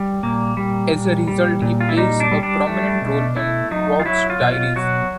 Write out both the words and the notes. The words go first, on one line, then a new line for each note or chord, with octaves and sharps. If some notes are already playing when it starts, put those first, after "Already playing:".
As a result, he plays a prominent role in Waugh's diaries.
Already playing: G3
A#2 A#3
G3
A#2
G3
A#2
F4
E4
G3 D#4
D4
G3
D4
A3
B2
A3 E4
F#3 D#4
F4
F#3 E4
F4
B2
F4
F#3 F#4